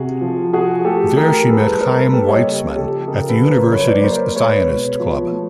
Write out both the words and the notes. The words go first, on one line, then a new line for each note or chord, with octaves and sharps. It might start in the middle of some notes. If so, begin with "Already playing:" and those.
There she met Chaim Weizmann at the University's Zionist Club.
Already playing: C3 F#4 G#4
F3
F3 F#4 G#4
A3 G4 A4
E3 G#4 A#4
G3 A4 B4
G3 A#4 C5
A4 B4
A#3 G4 A4
C#5 D#5
C#3
F3 G4 A4
C#3 G#4 A#4
A4 B4
F3
A#4 C5
F#3 B4 C#5
C5 D5
A#3 A#4 C5
G#3 B4 C#5
B2
F3
A3